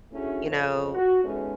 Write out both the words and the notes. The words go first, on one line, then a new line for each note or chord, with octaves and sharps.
you know,
A3 C#4 D4 E4 F#4 G#4
F2
F#4
G#3 A3 B3 C#4 D#4 G#4